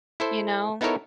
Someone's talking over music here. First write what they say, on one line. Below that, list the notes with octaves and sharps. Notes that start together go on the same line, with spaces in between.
you know?
E4 A4 C5
B3 D#4 E4 A4 A#4 C#5